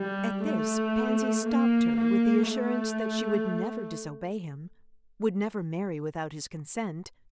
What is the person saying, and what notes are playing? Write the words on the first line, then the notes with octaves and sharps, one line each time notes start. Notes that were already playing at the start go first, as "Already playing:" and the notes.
At this Pansy stopped her with the assurance that she would never disobey him, would never marry without his consent.
Already playing: G3
A3
A#3
A#3
A3